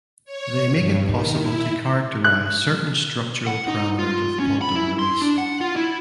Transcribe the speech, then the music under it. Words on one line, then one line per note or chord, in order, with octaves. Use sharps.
They make it possible to characterize certain structural parameters of quantum release.
C#5
G2
D#3
E4
F#6
F#5
D#4
F4
C#4
B5
E4
C6
D4
F#5
F4
E4